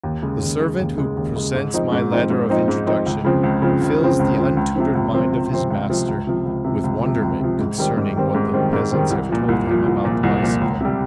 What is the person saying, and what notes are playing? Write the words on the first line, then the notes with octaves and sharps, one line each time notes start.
The servant who presents my letter of introduction fills the untutored mind of his master with wonderment concerning what the peasants have told him about the bicycle.
D#2
C#3 G#3
D#2
C#3 G#3
D#2
C#3 G#3
D#2
C#3 G#3
G#2
F3 C4 D#4
G#2
F3 C4 D#4
G#2
F3 C4 D#4
G#2
F3 C4 D#4
C#2
C#3 F3 C4
C#2
C#3 F3 C4
C#2
C#3 F3 C4
C#2
C#3 F3 C4
C#2
C3 F3 C4
C#2
C3 F3 C4
C#2
C3 F3 C4
C#2
C3 F3 C4
C#2
C3 F3
C#2
C3 F3
C#2
C3 F3
C#2
C3 F3
G#2
D#3 G3 C4
G#2
D#3 G3 C4
G#2
D#3 G3 C4
G#2
D#3 G3 C4
C2
A#2 F3
C2
A#2 F3
C2
A#2 F3
C2
A#2 F3
C#2
C3 G3